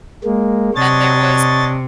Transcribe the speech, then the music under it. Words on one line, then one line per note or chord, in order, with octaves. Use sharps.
and there was
G#3 A#3
C3 D4 C#5 D#5 A6